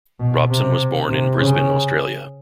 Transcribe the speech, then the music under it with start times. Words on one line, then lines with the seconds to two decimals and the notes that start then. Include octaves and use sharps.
Robson was born in Brisbane, Australia.
0.20 B2
0.50 C3
1.09 C3
1.38 C#3